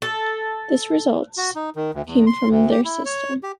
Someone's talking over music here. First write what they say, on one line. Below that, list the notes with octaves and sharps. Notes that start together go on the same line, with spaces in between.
This results came from their system.
A4
F#4
D#4
D#3
D2
E2
C6
D2
G4
E4
C#5
G4